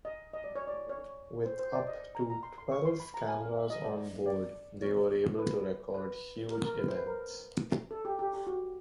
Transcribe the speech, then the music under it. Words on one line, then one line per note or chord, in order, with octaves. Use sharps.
With up to twelve cameras on board they were able to record huge events.
D#5
D#5
D5
C#5
D5
C#5
C5
C5
D5
D#5
A#5
A#5
C6
C6
C#6
C6
B5
A#5
G#5
F5
E5
D#5
D5
D5
C#5
B4
B4
A#4
A#4
B4
C5
B4
A#4
A4
G4
G4
G4
F#4